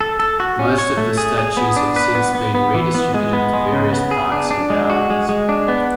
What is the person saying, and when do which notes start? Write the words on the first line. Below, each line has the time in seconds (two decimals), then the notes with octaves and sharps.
Most of the statues have since been redistributed to various parks and gardens.
0.01 A4
0.20 A4
0.40 F#4
0.59 C#4
0.78 C#5
0.97 A3
1.18 G#4
1.38 G#4
1.57 B3
1.76 D4
1.96 B4
2.15 B3
2.35 B3
2.55 B3
2.74 E3
2.94 B3
3.14 G#3
3.33 B3
3.54 G#3
3.72 C#3
3.93 B3
4.11 G#4
4.32 D4
4.51 D4
4.70 G#3
4.90 F#4
5.10 G#3
5.29 G#3
5.49 D4
5.68 B3